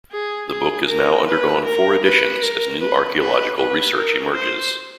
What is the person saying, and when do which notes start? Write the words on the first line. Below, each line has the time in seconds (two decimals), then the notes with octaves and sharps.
The book has now undergone four editions, as new archaeological research emerges.
0.12 G#4
0.50 G#4
0.88 A#4
1.27 B4
1.65 A#4
2.04 B4
2.42 A#4
2.81 B4
3.20 B4
3.58 B4
3.96 A#4
4.34 C5